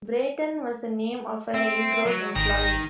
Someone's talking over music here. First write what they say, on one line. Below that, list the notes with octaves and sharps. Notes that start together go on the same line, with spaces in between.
Brayton was the name of a railroad employee.
C4 E5
F#3
G#1 D#3 G5 A#6